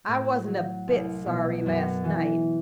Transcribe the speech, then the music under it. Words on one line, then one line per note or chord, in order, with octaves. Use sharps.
I wasn't a bit sorry last night.
A2
F#3
C2
B2
F#2
E3